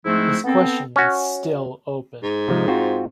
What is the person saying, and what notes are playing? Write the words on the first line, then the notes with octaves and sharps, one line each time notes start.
This question is still open.
G#2 F3 G#3 A3 C4 E4
B3 C4 A4
C#4 F#4
G#2
C3 F3 G#3
C4 F4 F#4